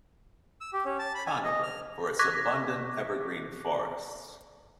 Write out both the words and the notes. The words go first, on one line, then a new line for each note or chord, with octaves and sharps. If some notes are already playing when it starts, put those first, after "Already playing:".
Conover for its abundant evergreen forests.
E6
G4
C#4
A5
B5
G#5
D#5
F6
C#6 D6 F#6 G#6 A#6 B6